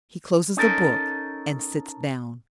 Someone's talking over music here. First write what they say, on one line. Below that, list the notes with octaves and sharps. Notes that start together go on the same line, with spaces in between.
He closes the Book and sits down.
C#4 D#4 A4 A#4